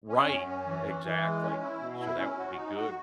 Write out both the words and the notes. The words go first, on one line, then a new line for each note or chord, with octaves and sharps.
Right! Exactly. So, that would be good.
C#4
F#2
C#4
E3
E3
E3
G#3
C#4
E4
B2
E4
C#4
F#4
D#4
F#4